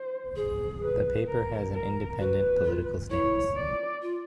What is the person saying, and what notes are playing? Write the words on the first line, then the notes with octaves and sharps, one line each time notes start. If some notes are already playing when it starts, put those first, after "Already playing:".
The paper has an independent political stance.
Already playing: C5
G#4
B4
A#4
A#4
F#4 B4
F4
E4 C#5
D5
F4